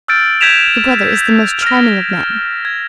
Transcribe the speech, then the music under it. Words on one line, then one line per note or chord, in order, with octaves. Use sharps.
Your brother is the most charming of men.
E6 F6 G6 A6 D7
G6 G#6 B6 D7 E7 F7
F6 A#6
G#6